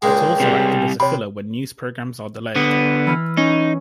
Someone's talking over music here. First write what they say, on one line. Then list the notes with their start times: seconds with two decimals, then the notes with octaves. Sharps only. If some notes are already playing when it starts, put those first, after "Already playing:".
It also acted as a filler when news programs are delayed.
0.02 C#2 A#2 G#3 G5
0.40 C3 G3
1.00 C3 C#5 B5
2.56 D3 B3 D#6
3.07 E3 B5 F6
3.37 C#4 D#4